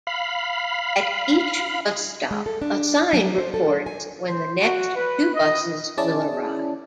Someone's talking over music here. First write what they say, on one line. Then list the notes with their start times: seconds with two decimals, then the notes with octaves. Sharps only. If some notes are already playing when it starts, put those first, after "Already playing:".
At each bus stop, a sign reports when the next two buses will arrive.
0.07 F5 B5
2.31 G#3
2.46 A4
2.62 D4
3.13 F#3
3.38 C5
3.54 A4
3.86 G#5
4.27 C5
4.61 F#4
4.95 B4
5.34 D#5
5.97 C#4 E4 G#4 D5 A5